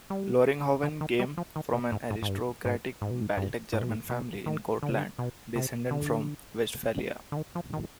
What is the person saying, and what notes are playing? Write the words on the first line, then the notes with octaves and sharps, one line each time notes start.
Loringhoven came from an aristocratic Baltic German family in Courland descended from Westphalia.
G3
D3
D#3
G3
F3
D#3
B2
G#2
G#2
G#2
G2
G#2
G#2
B2
G#2
G2
G#2
B2
G#2
B2
D#3
D3
C3
D3
B2
C3
D3
D3
D#3
F3
D#3